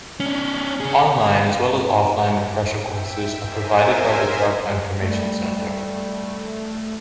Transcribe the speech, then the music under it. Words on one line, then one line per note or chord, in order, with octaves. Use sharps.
Online as well as offline refresher courses are provided by the Drug Information Center.
C#4 D4
C#4 G#4
E5 G5
A#4 C5 E5 G#5
G3 A3